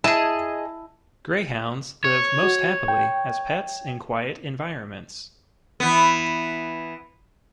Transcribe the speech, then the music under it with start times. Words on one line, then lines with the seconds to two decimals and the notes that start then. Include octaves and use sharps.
Greyhounds live most happily as pets in quiet environments.
0.04 E4 G#4 D#5 A5
2.04 C#5
2.43 F#4
2.88 G5
5.80 E3 B3